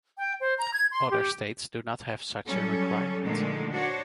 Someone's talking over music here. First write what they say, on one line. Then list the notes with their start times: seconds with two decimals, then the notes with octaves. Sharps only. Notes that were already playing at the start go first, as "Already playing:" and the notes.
Other states do not have such a requirement.
0.18 G5
0.41 C5
0.58 A#5
0.73 G#6
0.91 C6
1.10 G4
2.45 F#3 G3 C#4 A4
3.22 A#2 D3 D#3 F3 G#3 A3
3.70 D4 F#4 C5 C#5